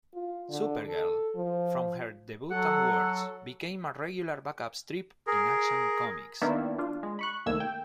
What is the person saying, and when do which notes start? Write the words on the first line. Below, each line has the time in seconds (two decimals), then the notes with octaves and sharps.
Supergirl, from her debut onwards, became a regular backup strip in "Action Comics".
0.14 F4
0.49 D3
0.87 A4
1.36 F3
2.51 F#3 A4 F#5
5.27 G#4 A#4
6.42 D#3 A#3 B3 D4 E4 D5
6.78 D4 F4
7.03 G#3
7.19 B5 C#6 F#6
7.46 C2 D#3 A3 A#3 E6 G#6
7.60 G5